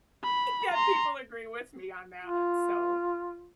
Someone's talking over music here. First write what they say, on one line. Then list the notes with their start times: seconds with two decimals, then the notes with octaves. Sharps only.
that people agree with me on that, so
0.24 B5
0.73 A#5 C6
2.23 F4